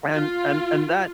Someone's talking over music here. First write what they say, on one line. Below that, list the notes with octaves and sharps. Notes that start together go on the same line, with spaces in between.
and and and that
F4